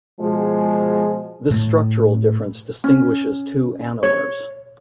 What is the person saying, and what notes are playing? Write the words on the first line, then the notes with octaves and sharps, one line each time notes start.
This structural difference distinguishes two anomers.
B2 F3 G#3
A2 A3
C#4
C#5